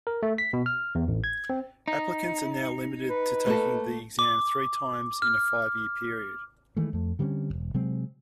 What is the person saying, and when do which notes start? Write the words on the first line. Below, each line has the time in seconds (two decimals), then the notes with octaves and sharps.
Applicants are now limited to taking the exam three times in a five-year period.
0.07 A#4
0.23 A3
0.38 B6
0.53 B2
0.66 F6
0.95 E2
1.08 A1
1.24 G#6
1.50 C4
1.88 D#4
3.10 B4
3.46 A3 A#3 A4
4.19 D6
5.22 F6
6.77 D#3 E3 G#3 A3
6.93 F2 A3
7.19 D3 G3 C4 C#4
7.50 E1 F2
7.74 C3 F#3 G#3 C4